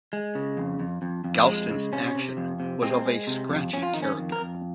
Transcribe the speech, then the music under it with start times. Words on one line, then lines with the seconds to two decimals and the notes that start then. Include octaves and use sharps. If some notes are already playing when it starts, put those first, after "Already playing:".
Galston's action was of a scratchy character.
0.13 G#3
0.35 C#3
0.57 F2
0.80 F2
1.02 F2
1.24 F2
1.47 G#3
1.69 C#3
1.93 C3 C#4
2.15 C3
2.37 F2
2.60 C3
2.82 G#3 C4
3.06 G#3
3.27 C3
3.50 F2
3.73 F2 C#4
3.83 F4
3.94 D#3 D#4
4.02 C#4
4.18 F2
4.32 A#4
4.40 F2